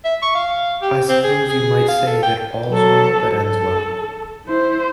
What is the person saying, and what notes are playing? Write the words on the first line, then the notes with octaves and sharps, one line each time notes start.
I suppose you might say that all's well that ends well.
E5
C#6
F5
G4
C4
G#4
G#4
F5
A4
G5
F#3 A4
A4
E4 C5